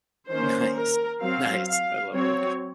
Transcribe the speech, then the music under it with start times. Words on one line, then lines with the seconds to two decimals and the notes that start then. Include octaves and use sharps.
Nice, nice, I love it.
0.30 D#3 A#3 C#4 C5
0.75 A#4
1.21 F#3 C4 F5
1.67 F5
2.12 F#3 C4 C#5